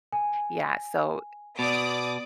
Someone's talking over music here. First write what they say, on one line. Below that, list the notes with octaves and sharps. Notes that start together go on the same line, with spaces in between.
Yeah, so
G#5
B2 D5 D6 D#6